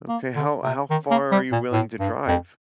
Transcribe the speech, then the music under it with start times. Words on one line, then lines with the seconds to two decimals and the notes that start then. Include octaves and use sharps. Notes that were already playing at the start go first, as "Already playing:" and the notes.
Okay. How how far are you willing to drive?
0.09 A#3
0.36 D3
0.63 C3
0.90 D#3
1.11 A#3
1.32 G3
1.52 A#2
1.73 A2
2.00 G2
2.28 F2